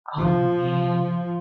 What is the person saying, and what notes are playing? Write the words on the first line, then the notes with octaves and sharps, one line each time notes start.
Oh, man.
F3